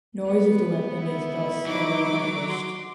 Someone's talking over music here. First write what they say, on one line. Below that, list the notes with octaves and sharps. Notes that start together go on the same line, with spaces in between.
Noise of the weapon is thus heavily diminished.
B3 B4
E4
F#3 D#4 D6
F#4 C6